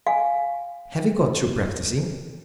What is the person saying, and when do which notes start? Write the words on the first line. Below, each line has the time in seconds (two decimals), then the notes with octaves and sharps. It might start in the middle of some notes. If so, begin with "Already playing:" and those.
Have you got through practising?
0.07 F5 G#5